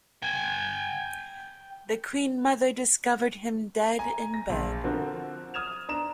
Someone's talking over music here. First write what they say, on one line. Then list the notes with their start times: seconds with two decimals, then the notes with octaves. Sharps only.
The Queen Mother discovered him dead in bed.
0.22 G5 G#5
3.99 G#5 A#5
4.34 A#6
4.49 A#1
4.84 D3 F3 C4 F#4 A#4
5.54 D#6 F6 G#6 E7 F7
5.89 D4 A#5 E7